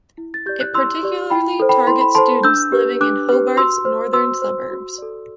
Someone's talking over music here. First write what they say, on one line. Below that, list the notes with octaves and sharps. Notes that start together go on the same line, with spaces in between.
It particularly targets students living in Hobart's Northern Suburbs.
E4
A6
G4 D5 G6
F#6
E4 C6 E6
G4 D5
E4 G5 B5
A4 C5
G5 B5
E4 C6
B5
A4 C5 A5 C6
D4 E6 G6
G4 B4
D4 D6 F#6
G4 B4
F#4 C6 E6
C5
F#4 C6 E6
C5
F#4
A4 D5